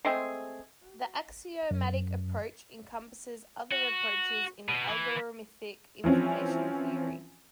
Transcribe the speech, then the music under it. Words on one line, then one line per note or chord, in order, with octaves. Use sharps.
The axiomatic approach encompasses other approaches in the algorithmic information theory.
G#3 A3 C4 G#4
F#2
F#4
B2
E3
E3 F3 C4 C#4